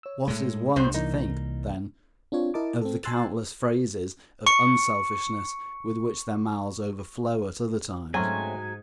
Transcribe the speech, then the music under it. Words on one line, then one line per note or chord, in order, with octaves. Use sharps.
What is one to think, then, of the countless phrases of unselfishness with which their mouths overflow at other times?
C#5 E6
A2 G#3
C2 G2 C4 C5
E3 A#3 D#4 A#4
C4 D4 F4 C#5
E4 A#4 D#5 A5 D6
C4 A4
G#5 A5 C6 E6 F#6 A6
C#6 C#7
G#2 F#3 A3 C4 C#4 G#5